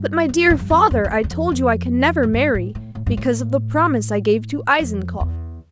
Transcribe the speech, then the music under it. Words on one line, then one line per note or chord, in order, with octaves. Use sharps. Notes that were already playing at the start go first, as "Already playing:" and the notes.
'But, my dear father, I told you I can never marry, because of the promise I gave to Eisenkopf.'
Already playing: G2
F2
A2
G2
F2
F2
F2
E2
E2
F2
F2
A2
G2
A2
A2
A2
G2
A2
F2
E2